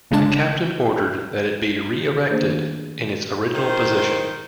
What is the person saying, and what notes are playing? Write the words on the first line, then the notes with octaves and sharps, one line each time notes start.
The Captain ordered that it be re-erected in its original position.
G1 C#3 G#3 D4 A5
D#3 A3 A#3 D4 G#4 C5
D#3 C5